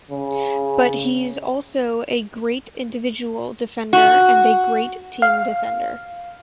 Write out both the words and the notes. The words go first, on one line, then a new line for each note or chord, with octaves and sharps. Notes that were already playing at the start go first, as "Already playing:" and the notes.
But he's also a great individual defender and a great team defender.
C#3
F#4
F5